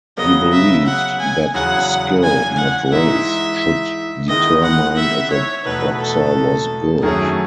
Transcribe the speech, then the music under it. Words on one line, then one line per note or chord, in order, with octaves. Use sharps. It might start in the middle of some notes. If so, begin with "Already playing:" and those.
He believed that skill, not race, should determine if a boxer was good.
C#3 F#3 B3 D#5
E5
F#5
G#5
E2 C#3 F#3 F#5
G#5
F#5
G#2 E3 G#3 D#4 E5
D#3 G#3 B3 E4 D#5
F#5
E5
C#5
E2 B2 A3 D#4 B4
A4
F#2 D#3 F#3 A3 C#4 G#4